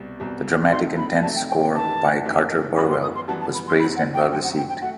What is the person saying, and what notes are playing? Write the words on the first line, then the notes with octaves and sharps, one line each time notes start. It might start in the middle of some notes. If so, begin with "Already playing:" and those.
The dramatic and tense score by Carter Burwell was praised and well received.
Already playing: C2 B2 G3
C2 B2 G3
C3 F#3 A3 D#4 C6
B5
C3 F#3 A3 D#4 A5
G5
G5
G5
F#2 E3 A3 D#4 G4 A5
F#2 E3 A3 D#4 G4
F#2 E3 G3 B3 F#4 B5
C6
D#6
C6
F#2 E3 G3 B3 F#4 A5
A5
B5
C6
F#2 F#3 C4 F#4 B5
F#5
G5
F#2 F#3 C4 F#4 G5
F#5
G5
G5
A3 F#4 F#5